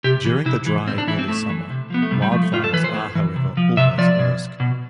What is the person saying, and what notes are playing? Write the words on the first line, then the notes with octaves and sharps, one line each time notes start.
During the dry early summer wildfires are however always a risk.
C3 G4
E3
C3 E4
E3
A2 C4
D4
E3 E4
C4
A2 A3
E3
C3
F3 B3
A3
C3 G3
G3
F3 A3
A3
A2 F4
A4
E3 B4
C5
A2
E3
C3
F3
C3 E5
F3 D5
B2
B2